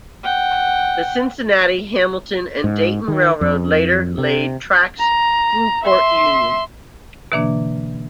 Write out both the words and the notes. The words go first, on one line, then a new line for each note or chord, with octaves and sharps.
The Cincinnati, Hamilton, and Dayton Railroad later laid tracks through Port Union.
F#5 G5
G#2
D#3
F2
C3
A#5
E5 C6
B2 D3 E3 A#3 D4